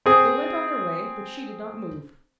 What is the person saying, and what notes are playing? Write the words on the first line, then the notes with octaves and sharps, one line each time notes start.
They went on their way, but she did not move.
C4 G#4